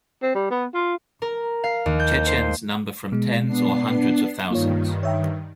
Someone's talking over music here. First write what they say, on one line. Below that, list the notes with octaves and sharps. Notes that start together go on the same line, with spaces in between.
Chechens number from tens or hundreds of thousands.
C4
G3
B3
F4
A#4
F5
D#2
G6
C5
B2 G#3
B3 D4 C7
G2 D#3 A#3 F4 C#5
C#5 E5 G5